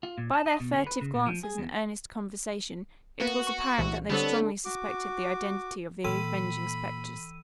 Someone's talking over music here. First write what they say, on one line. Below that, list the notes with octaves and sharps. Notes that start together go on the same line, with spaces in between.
By their furtive glances and earnest conversation it was apparent that they strongly suspected the identity of the avenging specters.
F4
A#2
A5
D#5
B2
D3
B4
C#3
A#2
F3
G#4
E2
A#3 B3 F#4
C#6
C2 A#2 E3
D3 G3 B3 C4 D4 A4 C#5
F#4 D6
A#2 E3 B5 E6 D#7